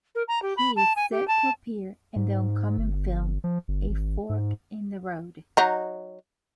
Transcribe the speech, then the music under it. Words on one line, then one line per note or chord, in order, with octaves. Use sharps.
He is set to appear in the upcoming film "A Fork in the Road".
A#4
A#5
G4
B5
A5
G#5
G4
A5
G#2
G1
F3
G1
G#1
G#2
F#3 D#4